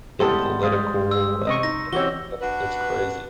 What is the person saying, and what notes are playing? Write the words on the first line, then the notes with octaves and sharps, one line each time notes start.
getting political, and, you know, that's that's crazy.
G3 G#3 B3 E4 G4 A4 A5 C6
G3 G#3 F5
E6
C3 D#5 C#6
D#4 A#6
E3 C4 F#4 G4 C#5 G7
D4 F#4 B4